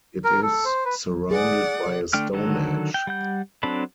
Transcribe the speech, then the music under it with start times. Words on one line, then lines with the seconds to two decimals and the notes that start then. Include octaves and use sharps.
It is surrounded by a stone hedge.
0.24 A#4
0.42 A4
0.65 C5
0.85 B4
1.31 G#4 D5 F#5
2.13 D3 A3 D4 G5 F6
2.33 D3 D#3 F#3 A4
2.94 G5
3.07 G3 F#5 G6
3.63 F#3 C4 D4 A4 B5